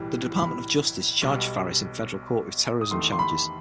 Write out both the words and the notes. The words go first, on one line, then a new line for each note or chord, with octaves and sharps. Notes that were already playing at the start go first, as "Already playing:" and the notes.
The Department of Justice charged Faris in federal court with terrorism charges.
Already playing: B1 A2 E3 G3
B5
B1 B2 G3
D#6
E2 D#3 A3 C6
C6
B5